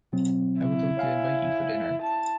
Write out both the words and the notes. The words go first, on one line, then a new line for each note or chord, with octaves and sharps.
I would like to invite you for dinner.
B2 F#3 C4
E4
C#5 F5 G#5
A5